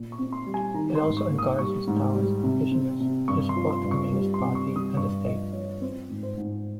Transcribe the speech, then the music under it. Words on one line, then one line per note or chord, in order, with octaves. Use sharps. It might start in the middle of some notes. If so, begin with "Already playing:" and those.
It also encourages Taoist practitioners to support the Communist Party and the state.
Already playing: A#2
C#6
C4
C6
G3
G#5
D#3 A#5
C6
G#2
C#6
A#3
D#6
G3 C#6
G#2
G3
C3
C4
C3
G2 C#6
C6
F3
C6
G2
C#6
G3
C6
C3
C#6
G3
D#6
G2 C#6
F3 D#5
F3 C#5
C4 C5
G#2
C5
G#2